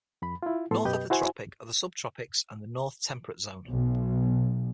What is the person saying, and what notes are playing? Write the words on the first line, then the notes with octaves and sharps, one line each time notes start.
North of the tropic are the subtropics and the North Temperate Zone.
F2 B5
E4 F4
A2 B3 A4 C6
F#2 B2 G4 B4 D#5 G6
E4 F#4 C5 G#5
B1